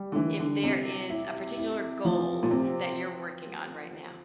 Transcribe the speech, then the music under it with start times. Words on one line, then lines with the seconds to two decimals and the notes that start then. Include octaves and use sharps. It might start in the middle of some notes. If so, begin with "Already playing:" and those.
if there is a particular goal that you're working on right now?
Already playing: G3
0.12 D3
0.16 E3 G3
0.39 D3
0.63 C3 E4
1.10 E4
1.58 E4
2.05 F3
2.43 A#2
2.51 C3 C4